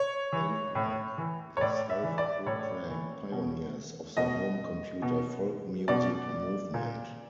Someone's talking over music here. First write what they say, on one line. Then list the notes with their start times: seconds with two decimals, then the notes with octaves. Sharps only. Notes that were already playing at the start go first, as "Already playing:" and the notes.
They are the self-proclaimed pioneers of the home computer folk music movement.
Already playing: C#5
0.32 E3
0.75 A2
1.18 E3
1.57 C#5
1.61 A2 D5
1.90 E5
2.03 E3
2.18 D5
2.46 A2 C#5
2.89 E3
3.32 B2
4.17 B2 D#5
5.02 B2
5.88 B2 D5
6.74 A#2